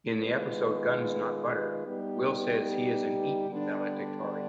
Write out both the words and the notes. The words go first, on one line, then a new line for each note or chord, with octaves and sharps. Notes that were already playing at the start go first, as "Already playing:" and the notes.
In the episode Guns Not Butter, Will says he is an Eton valedictorian.
D#3 G#3 B3 F4 B4
G3 B3 D#4 G4 B4
D3 G3 B3 D4